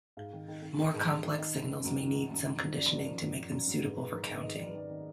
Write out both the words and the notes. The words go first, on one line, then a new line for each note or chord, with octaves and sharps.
More complex signals may need some conditioning to make them suitable for counting.
G#2 F5
D#3
D#3
D#3
D#3
G#2
D#3
D#3
D#3 D#5
F#2
D#3
F#2
D#3
D#3
F#2
D#3
F3 D#5
F#2 D5
F#2 D5
F3 A#4
F#2
F#2
F#2
F#2
G#2 B4
G#2 B4
G#2 A#4
D#3 B4
G#2 D#5
D#3 D5
B4
D#3 D5
D#3